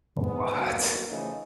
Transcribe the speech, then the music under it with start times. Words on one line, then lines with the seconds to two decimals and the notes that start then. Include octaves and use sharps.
Oh, what?
0.23 G#2 B3
0.56 B2 F#3 A#3
1.09 C#3 E3 F3 A3 D#4